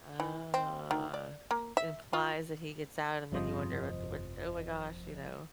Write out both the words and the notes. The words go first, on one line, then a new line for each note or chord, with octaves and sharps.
Oh. It implies that he gets out, and then you wonder, "What what th oh my gosh," you know?
E3
C4
D#3
D5
A#3
E5
F4
G1 F2 C3 F3 C5 D#5